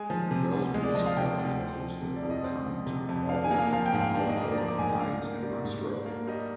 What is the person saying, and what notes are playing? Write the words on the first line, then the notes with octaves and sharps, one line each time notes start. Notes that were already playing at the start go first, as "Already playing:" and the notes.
The Nivelles municipality includes the old communes of Baulers, Bornival, Thines, and Monstreux.
Already playing: G#3 G#5
F3
C3
D2
G#3
D5
F3 D#5
F5
C3 G5
D2
C4
F3
C3
D5
F2
D#5
C4 D#5
F3
C3
F2
D4 F5
G#5
A#3
F5
F3 F5
G5
G#2
F5
D4 F5
D#5
A#3
D5
F3 A#5
D6
G#2 G#5
G5
D4 F5
A#3
G3 D5
G#2
D4
A#3
G3 D#5